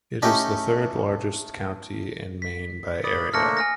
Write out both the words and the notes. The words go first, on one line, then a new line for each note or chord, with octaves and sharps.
It is the third-largest county in Maine by area.
A3 C#4 D#4 G4
B6
D5 B5 D#6
A3 A#3 D4 F6 A#6 C#7
G#5 F6 A#6